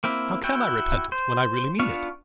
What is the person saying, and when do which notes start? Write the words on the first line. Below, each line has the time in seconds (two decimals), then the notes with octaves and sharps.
How can I repent it when I really mean it?
0.04 A#3 C4 E4
0.44 E4 F#4 G5
1.12 C5
1.79 B3 D4 F4 F5 C#6